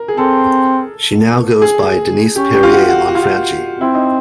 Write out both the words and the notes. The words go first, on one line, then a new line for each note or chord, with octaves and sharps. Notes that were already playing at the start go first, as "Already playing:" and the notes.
She now goes by Denise Perrier Lanfranchi.
Already playing: A#4
G#4
C4 A4
G#4
C#4 G4
G4
F4
F#4
F#4
F#4
F4
F#4
C4 E4
D#4